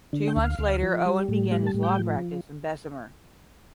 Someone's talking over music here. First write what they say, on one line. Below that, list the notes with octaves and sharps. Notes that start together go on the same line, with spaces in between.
Two months later Owen began his law practice in Bessemer.
D3
G5
D2
F5
D2
F3
G3
A2
G3 F5
A5
A2
G5
F3